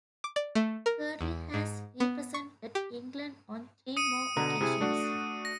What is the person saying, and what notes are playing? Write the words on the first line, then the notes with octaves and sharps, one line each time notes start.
Kirtley has represented England on three more occasions.
D6
D5
A3
A#4
E2
G#2
B3
C#6
G4
D#6 C#7 D#7
B2 D3 A#5
C3 E4 G#4
A3 D4 F#4
A#6